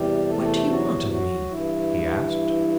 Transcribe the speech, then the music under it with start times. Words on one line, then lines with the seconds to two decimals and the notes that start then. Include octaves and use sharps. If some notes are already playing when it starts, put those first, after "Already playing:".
"What do you want of me?" he asked.
Already playing: E2 C3 E3 G3 G4
0.29 A4
0.37 G4
0.43 A3 A4
0.70 F#3 F#4
1.10 F#3 F#4
1.50 G2 E3 E4